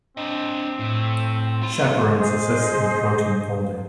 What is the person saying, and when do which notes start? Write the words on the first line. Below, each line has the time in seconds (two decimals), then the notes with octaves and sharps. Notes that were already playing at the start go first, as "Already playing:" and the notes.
Chaperones assist in protein folding.
0.17 C4 D4 D#5
0.79 A2
1.63 E4 C6
2.16 G#4 C5 D#5